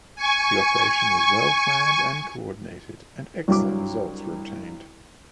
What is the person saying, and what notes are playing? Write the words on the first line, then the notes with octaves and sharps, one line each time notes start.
The operation was well-planned and coordinated, and excellent results were obtained.
G#5 C#6
C2 G2 F#3 D6